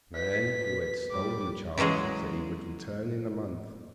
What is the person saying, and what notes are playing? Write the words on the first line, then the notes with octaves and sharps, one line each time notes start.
The man who had stolen the child said he would return in a month.
B4 B6
G3 D6
C#3 E3 F#3 G#3 G#4